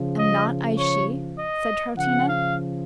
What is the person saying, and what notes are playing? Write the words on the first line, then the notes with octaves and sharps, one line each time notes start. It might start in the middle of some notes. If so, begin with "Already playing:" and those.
"Am not I she?" said Troutina.
Already playing: C#3 F3
D#5
C#5
D#5
C#3 F3 F#5
F5